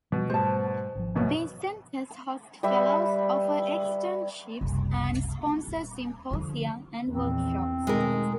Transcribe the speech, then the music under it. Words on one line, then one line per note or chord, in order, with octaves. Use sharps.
These centers host fellows, offer externships, and sponsor symposia and workshops.
B2 F3 G3
G#2 G3 A3 C5 A5
G#1 F3
F#2 B2 C#4
G3 B4 E5
F#1 C2
D#1
D3 F3
A#1 E2 E3 C4
B2 D#3 G#3 A3 A#4